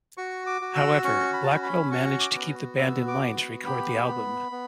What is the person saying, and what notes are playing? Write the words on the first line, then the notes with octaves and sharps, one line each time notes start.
However, Blackwell managed to keep the band in line to record the album.
F#4 C#6
D6
F#4
E6
C#4 C#6
B5
A5
C#4 B5
B5
F#4 C#6
D6
B3
F#4 E6
D6
B3
G4 B5
B3
B3